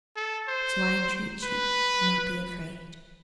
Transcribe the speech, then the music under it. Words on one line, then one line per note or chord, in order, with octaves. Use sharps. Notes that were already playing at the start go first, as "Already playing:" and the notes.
So I entreat you do not be afraid.
A4
C5
B4